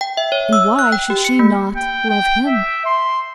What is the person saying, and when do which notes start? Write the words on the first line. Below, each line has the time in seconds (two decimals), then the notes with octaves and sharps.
And why should she not--love him?
0.01 G5
0.17 E5
0.32 C#5
0.53 E6
0.79 F#6
0.92 G5
1.10 G4
1.25 C#7
1.39 A#3
1.76 G5
2.09 G5
2.47 E5
2.85 C6